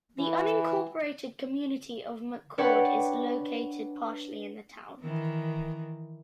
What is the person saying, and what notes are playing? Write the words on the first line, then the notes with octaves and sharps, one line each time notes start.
The unincorporated community of McCord is located partially in the town.
E3
D4 B4 C#5 D5 F#5 G5
D#3 E3